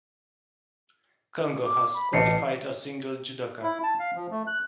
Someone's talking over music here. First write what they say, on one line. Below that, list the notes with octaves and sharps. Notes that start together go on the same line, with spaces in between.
Congo has qualified a single judoka.
D6
B5
A1 D#5 C7 C#7
E4
A5
F5
F3
A3
F#6